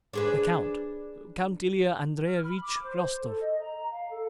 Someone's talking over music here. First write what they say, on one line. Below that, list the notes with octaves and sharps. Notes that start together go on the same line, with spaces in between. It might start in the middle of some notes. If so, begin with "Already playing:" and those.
"The count--Count Ilya Andreevich Rostov."
D4 G#4 B4
F6
B5
D6
C5
C5
A4
D#5
A#5
F5
A4